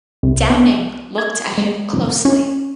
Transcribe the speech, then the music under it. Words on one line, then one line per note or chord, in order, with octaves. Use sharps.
Downing looked at him closely.
C2
B3
G#6
G#3
C#4